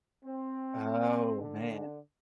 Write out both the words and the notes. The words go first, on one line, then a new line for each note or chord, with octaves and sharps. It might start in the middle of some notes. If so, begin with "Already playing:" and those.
Oh, man.
C4
D3